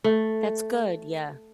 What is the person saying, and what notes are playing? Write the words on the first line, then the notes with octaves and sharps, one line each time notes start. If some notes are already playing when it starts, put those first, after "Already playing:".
That's good. Yeah.
A3